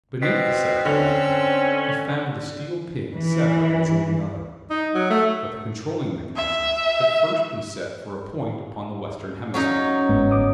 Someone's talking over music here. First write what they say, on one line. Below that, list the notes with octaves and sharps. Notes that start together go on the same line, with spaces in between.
Beneath the second dial he found the steel pin severed as in the other, but the controlling mechanism had first been set for a point upon the western hemisphere.
B2 C4
D3 C#4
E3
D#4
F#3
A3
E5
F#3 C#4 D#4
G1 G#2 B3
G1 D6 D#6